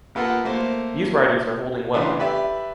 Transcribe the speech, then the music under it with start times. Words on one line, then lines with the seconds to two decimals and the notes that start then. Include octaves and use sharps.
These riders are holding well.
0.15 A#3 B3 F4 A4 A#4 F#5
0.44 A3 A#3 C5
1.94 C#3 E3 A3 B3 D4 C6
2.19 G4 B4 D5 E5